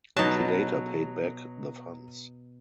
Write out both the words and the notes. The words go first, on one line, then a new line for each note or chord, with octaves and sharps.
She later paid back the funds.
B2 F#3 D#4 A5